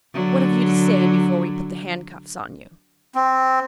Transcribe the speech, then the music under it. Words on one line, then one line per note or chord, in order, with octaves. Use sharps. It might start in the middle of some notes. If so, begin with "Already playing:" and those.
"What have you to say before we put the handcuffs on you?"
D3 F#3
C4